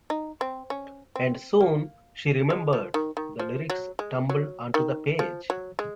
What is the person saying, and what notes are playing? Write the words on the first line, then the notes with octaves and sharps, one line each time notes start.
And soon, she remembered, the lyrics tumbled onto the page.
D#4
C4
C#4
C4
A#3
G#3
F3
D#3
D#3
F3
F#3
G#3
F#3
D#3
F3
F#3
G#3